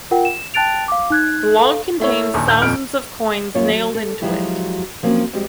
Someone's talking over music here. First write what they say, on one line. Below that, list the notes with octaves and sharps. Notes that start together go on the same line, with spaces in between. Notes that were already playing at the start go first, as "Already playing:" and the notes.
The log contains thousands of coins nailed into it.
F4 A#4 F#5 G5
E7
G5 A5 F#6 A6 D7 F7
F5 D6
D#4 F#6 G#6
A4 F5
A3 E4 C#5
A#1 D#2 A#2
G6
F2 F6 D7
F#2 A#3 F4 C#5
F#3
A4
F3 F#3 G#3 E4 G4
F3 F#3 A#3 C4 C#4
F2 G3 G#3 F#4 G4